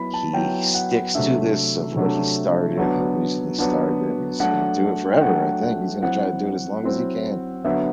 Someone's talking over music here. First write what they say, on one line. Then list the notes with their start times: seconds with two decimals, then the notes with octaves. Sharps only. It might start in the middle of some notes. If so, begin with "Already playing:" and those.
he sticks to this of what he started and the reason he started it, and he's gonna do it forever I think he's gonna try to do it as long as he can.
Already playing: F#3 B3 E4 B5
0.14 A5
0.33 F#3 B3 E4 G5
0.74 F#5
1.15 C3 F#3 A3 D4 E5
1.96 C3 F#3 A3 D4
2.77 F#3 B3 D4
3.59 F#3 B3 D4
4.40 F#3 A3 D4 F#5
5.13 G5
5.21 F#3 A3 D4 F#5
5.62 F#5
6.03 F#3 C4 E4 F#5
6.83 F#3 C4 E4
7.65 D3 F#3 B3 E5